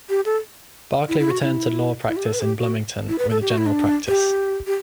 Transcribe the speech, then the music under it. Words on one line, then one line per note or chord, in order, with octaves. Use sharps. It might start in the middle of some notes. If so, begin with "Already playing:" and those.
Barkley returned to law practice in Bloomington, with a general practice.
G4
A4
E4
E4
F#4
E4
E4
G4
A4
B4
G4
F#4
E4
B4
A4
G4
F#4
E4
D4
G4
G4